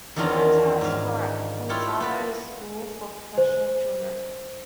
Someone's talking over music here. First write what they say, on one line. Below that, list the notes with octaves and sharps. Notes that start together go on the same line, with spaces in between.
She went to high school at Quintano's School for Professional Children.
E2 D#3 C#4 D4 F4 A#4
G#2 F5
E4 F4 G4 C#5
B3 B4 D5
C5